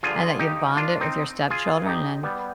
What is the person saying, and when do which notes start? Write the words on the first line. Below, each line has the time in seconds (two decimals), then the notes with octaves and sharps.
and that you've bonded with your stepchildren and,
0.03 G2 D3 F3 F4 G#4
0.39 D#4 G4
0.77 D4 F4
1.01 C4 D#4
1.50 F4 G#4
1.86 D#4 G4
2.23 G3 B3